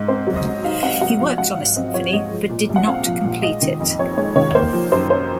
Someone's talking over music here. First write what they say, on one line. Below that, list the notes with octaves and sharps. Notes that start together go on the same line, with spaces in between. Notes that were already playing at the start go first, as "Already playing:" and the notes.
He worked on a symphony but did not complete it.
Already playing: G#2
C4 C5
F#3
D#5
G#2
D#4 F5
C4 F#5
F#3 F#5
F3 F5
G#2 F#5
G#1 F5
C4 D#5
D#5
F3 C#5
G#2 D#5
F3
A#2
A#1
F#5
C4 F5
F3
A#2
G#3 D#5
D#3
F2
F2 C#5
G#3 C#5
D#3 C#5
A#3 C5
F3
F#2 C5
C#4 C5